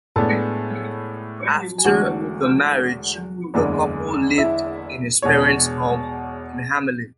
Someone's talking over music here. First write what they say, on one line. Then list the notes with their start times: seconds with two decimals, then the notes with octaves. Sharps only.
After the marriage, the couple lived in his parents' home in Hamelin.
0.16 A2 G#3 B3 D4 A4 A5
1.78 G#5
1.85 E1 E2 D3 A3 F#4 F#5
3.54 F#1 E2 D3 G#3
4.38 E4 E5
5.22 E2 B2 G#3 D4 C#5